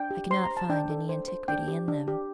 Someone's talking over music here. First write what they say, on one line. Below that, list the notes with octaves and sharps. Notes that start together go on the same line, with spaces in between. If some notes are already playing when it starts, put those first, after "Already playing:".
I cannot find any antiquity in them.
Already playing: D4 G5
G4
C5 C6
A#5
C5
A5
D4 G5
A4
C5
C5
D4 G5
G4
D4
G4